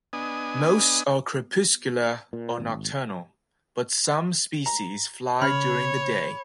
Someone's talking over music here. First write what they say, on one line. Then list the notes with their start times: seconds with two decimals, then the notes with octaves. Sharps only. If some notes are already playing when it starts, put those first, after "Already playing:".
Most are crepuscular or nocturnal, but some species fly during the day.
0.13 B3 D4 D#5 G#5 D#6
2.33 A#2
2.60 G#1
4.66 A#5
5.42 C#3 C#5 B5 F6